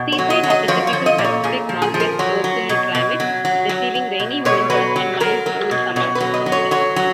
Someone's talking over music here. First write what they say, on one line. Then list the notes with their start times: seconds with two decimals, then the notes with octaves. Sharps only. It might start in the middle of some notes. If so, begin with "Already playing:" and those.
Seaside has a typical Pacific Northwest coastal climate, receiving rainy winters and mild-to-cool summers.
Already playing: B2
0.12 C#5
0.18 F#3
0.30 D#5
0.43 F#3
0.50 D#5
0.68 F3 C#5
0.87 C#5
0.93 F3
1.06 D#5
1.18 A#2
1.24 C#5
1.44 A#2 G#4
1.69 F3
1.82 G#4
1.94 F3
2.00 A#4
2.19 F#3 C#5
2.44 F#3
2.69 B2
2.95 B2
3.20 F#3
3.45 F#3
3.69 F#3
3.95 F#3
4.20 B2
4.45 B2 C#5
4.70 F#3 B4
4.96 F#3
5.20 F#3 A#4
5.46 F#3
5.71 B2
5.96 B2 C#5
6.15 B4
6.20 F#3
6.34 D#5
6.46 F#3
6.52 C#5
6.71 F#3 C#5
6.96 F#3